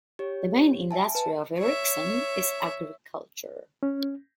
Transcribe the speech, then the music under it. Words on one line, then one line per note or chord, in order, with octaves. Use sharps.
The main industry of Erickson is agriculture.
G4 C#5
E5 G#5 A5
B4 A5
C#5 E5
C#4